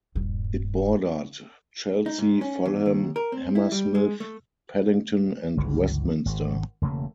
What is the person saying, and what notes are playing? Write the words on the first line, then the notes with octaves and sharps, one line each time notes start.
It bordered Chelsea, Fulham, Hammersmith, Paddington, and Westminster.
D#1 G2
D#4
G#2
C#4
E2
D#2
A#4
C4
E4
G3
G#3
A3
G1 C#2 E3
G#1
E1 C#3 A3 A#3